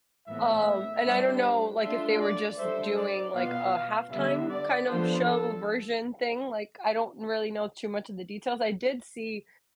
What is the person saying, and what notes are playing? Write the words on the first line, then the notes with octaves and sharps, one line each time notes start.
Um, and I don't know, like, if they were just doing, like, a halftime kind of show version thing, like, I don't really know too much of the details, I did see,
A2 E3 B3 E5
G3 D4 G4 C5
A3 D4 F4 A4 E5
D5
G3 D4 A4 C5 E5
D5
B2 B3 F4 B4 F5
D3 G3 B3 E5
D5
F3 B3 D4 F4 A4 C5
A4